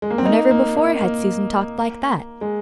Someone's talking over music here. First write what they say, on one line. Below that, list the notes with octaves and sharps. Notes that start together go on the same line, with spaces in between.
Whenever before had Susan talked like that?
G#3
A#3
C4
A#3 D#4
A#3
A#3
A#3
G#3